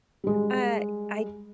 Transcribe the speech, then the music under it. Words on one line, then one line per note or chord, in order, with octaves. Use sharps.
uh, I
G3 G#3